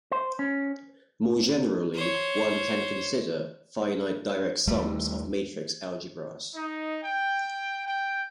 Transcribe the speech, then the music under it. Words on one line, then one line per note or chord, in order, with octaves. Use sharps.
More generally, one can consider finite direct sums of matrix algebras.
C5
C#4
C5 C#5
D#2 G3 A3
D#4
G5
G5